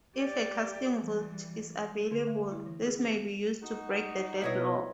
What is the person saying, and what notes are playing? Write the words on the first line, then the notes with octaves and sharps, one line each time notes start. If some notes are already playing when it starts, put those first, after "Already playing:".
If a casting vote is available, this may be used to break the deadlock.
G4 D5
E3 G3
D3
A3
E4
E3
G#4
F#5
B3
D#4 F#4
B2 E4 C#5 D#5